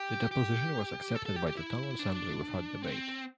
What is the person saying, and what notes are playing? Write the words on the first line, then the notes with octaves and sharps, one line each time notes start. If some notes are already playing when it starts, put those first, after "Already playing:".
The deposition was accepted by the town assembly without debate.
Already playing: G4
G4
A4
A4
G4
G4
E4
D4
C4